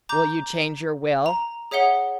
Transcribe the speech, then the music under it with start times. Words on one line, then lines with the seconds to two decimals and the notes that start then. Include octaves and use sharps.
"Will you change your will?"
0.09 A#5 D6 G6
1.26 A#5
1.71 G#4 C#5 E5 F#5 G7